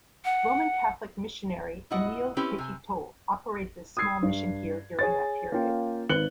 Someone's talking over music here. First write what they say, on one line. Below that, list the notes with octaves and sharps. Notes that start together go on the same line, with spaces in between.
Roman Catholic missionary Emile Petitot operated a small mission here during that period.
F#5
A#2 E4 F#4 D#5 F#5
C4 C#4 E4 G4 B4
C3 G#5
D#6 E6 G#6 C7
G2
G#4 C#5 A6
A#3 C#4 F4 G5
G#1 B4 F#6 C#7 F#7 G7